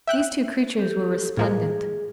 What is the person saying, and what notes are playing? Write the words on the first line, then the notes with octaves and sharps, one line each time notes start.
These two creatures were resplendent.
E5 G5 F#6
G4 A4
A2 F3 A#3 G#4